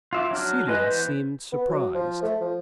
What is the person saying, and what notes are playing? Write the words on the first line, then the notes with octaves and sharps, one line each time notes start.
Celia seemed surprised.
F4 E5 D6
F#3 D4 F6
G#3 B4 D#5
E3 B3 C5
B3
F#3
F3
A3
F3